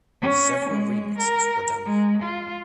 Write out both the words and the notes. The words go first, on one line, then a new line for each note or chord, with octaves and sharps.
Several remixes were done.
C#4
G#3
A#4
G#3
F4